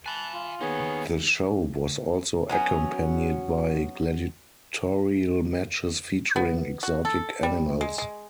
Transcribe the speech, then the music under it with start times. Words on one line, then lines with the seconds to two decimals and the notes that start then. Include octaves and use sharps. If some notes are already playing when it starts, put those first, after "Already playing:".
The show was also accompanied by gladiatorial matches featuring exotic animals.
0.06 G#5 A5 B5 F#6
0.33 F4
0.61 D#2 B3 D#4 G#4 C#5
2.49 F#3 B3 C#4
6.36 B3
6.83 F#4
7.05 A4
7.43 G3
7.81 G#3
7.98 G#3